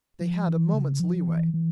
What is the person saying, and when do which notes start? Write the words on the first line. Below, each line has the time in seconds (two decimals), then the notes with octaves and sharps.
They had a moment's leeway.
0.21 F3
0.47 E3
0.74 C#3
1.00 F3
1.27 E3
1.54 E3